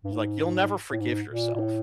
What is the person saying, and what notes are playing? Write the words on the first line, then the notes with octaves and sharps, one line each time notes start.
like, "You'll never forgive yourself,"
G2
G#2
A2
G#2
A#2
A#2
A2